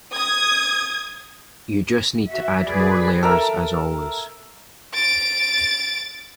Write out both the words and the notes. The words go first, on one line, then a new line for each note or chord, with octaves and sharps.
You just need to add more layers as always.
D#6 G#6
F#4 E5
G#4 B4 D5
A4 A#4 E5
A6 D7